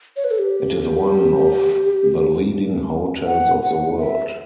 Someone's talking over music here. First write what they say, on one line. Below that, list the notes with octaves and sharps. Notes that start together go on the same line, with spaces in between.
It is one of "The Leading Hotels of the World".
C#5
B4
A4
G4
F#5
F#5
E5